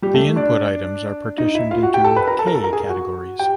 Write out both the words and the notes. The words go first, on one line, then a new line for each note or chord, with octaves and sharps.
The input items are partitioned into "k" categories.
G3 G4
A3 A4
D4 D5
D#4 D#5
E4 E5
F4 F5
F#4 F#5
G4 G5
A4 A5
B4 B5
A#4 A#5
A4 A5
A#4 A#5
A4 A5
A#4 A#5
G#4 G#5
F#4 F#5
G4 G5